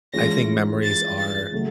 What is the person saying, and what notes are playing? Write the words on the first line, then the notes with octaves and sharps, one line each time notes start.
I think memories are
E3 G#3 C#4 F4 A#6
A6
A6
C#3 F#3 A3